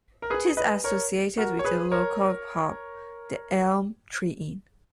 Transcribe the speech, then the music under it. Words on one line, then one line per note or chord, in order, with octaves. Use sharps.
It is associated with the local pub, The Elm Tree Inn.
A#4
G#4 B4
B4 D#5
A#4 C#5
F#4 A#4
C#5
G#4 B4
A#4 C#5